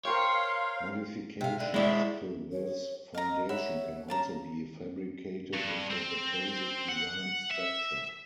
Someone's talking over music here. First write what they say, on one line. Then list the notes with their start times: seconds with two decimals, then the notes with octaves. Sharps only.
Modifications to this foundation can also be fabricated into the basic design structure.
0.05 A#4 C5 C#5 F5 G5 C6
1.41 C3 F5
1.60 D3
1.74 G#3 E4 G4 D5
2.52 C#5
3.15 D#5 F5 A#5
3.49 C#5 E5 F#5 B5
4.08 F5 A5 A#5
5.54 G2
5.91 C4
6.88 F#5
7.51 E5